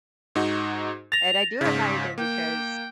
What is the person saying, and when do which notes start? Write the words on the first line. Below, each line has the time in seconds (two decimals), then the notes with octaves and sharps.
and I do admire them because
0.35 G#2 D#4 F#4
1.12 A6 A#6 F7
1.61 G#2 C#3 B6
2.18 A#3 G5